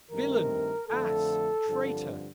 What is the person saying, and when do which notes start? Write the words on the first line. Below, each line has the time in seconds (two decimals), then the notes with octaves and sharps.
'Villain, ass, traitor!'
0.11 G2 D#3 A3 C4 A#4
0.88 F2 D3 F3 A3 A4
1.66 G2 D3 F3 C4